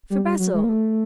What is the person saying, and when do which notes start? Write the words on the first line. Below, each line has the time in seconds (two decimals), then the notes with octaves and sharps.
"For Basil?"
0.10 G3
0.24 G3
0.39 F#3
0.54 G#3
0.64 A#3
0.69 A3